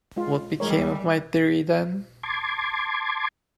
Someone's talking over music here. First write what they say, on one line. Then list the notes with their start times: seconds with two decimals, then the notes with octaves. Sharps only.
What became of my theory then?
0.16 G#3 F4
0.60 E3 G3 G#3 A#4 C#5
2.23 A5 C6 D6 G#6